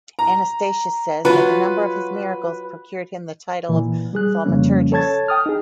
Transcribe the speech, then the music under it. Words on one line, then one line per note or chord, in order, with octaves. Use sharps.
Anastatius says, that the number of his miracles procured him the title of Thaumaturgus.
A#5
F#3 F4 B4
A#2 E3
G3 G#4 F#6
F2 C#3 F3 G3 A#3 C#4
A4 C#5 A5 G#6 A6
G5 D#6 F6
D#4 G#4